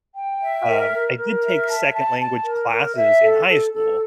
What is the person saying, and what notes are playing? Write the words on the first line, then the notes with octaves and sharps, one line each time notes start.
um I did take second language classes in high school,
G5
E5
A#4
A#4
A#4
E5
A5
A5
A5
A#4
A#4
E5
A4
A4
A4